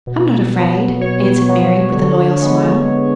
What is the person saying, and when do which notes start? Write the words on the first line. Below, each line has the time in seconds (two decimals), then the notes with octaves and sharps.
'I'm not afraid,' answered Mary, with a loyal smile.
0.07 B2
0.55 F#3 B3
1.01 B2 C#5
1.49 F#3 B3
1.95 D3
2.42 G#3 B3